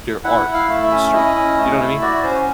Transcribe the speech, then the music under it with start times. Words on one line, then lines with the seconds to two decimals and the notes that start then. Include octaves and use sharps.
your art history, you know what I mean?
0.24 E4 F#5
0.47 E4
0.54 F5
0.69 A3
0.83 E5
0.91 C#4
1.13 E4 D#5
1.35 C#4
1.57 A3
1.80 E4
2.02 F#4 D5
2.23 C#4 C5